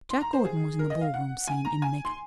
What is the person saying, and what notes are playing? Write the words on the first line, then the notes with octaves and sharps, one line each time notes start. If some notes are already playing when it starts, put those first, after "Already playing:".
Jack Gordon was in the ballroom scene in make-up.
C6
A#5
C5
G#4
A#4
D#5
F5
F#5
G#5
A#5
G#5
C6